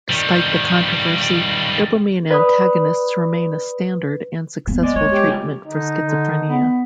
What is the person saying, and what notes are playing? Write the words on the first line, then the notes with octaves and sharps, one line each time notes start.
Despite the controversy, dopamine antagonists remain a standard and successful treatment for schizophrenia.
D#3 G3
B4 D5 B5 D#6
A#3 B3
G#3 D5 D#5
A3 C#5
G4
C#3 G3 F4
D3 D#4
D3
B3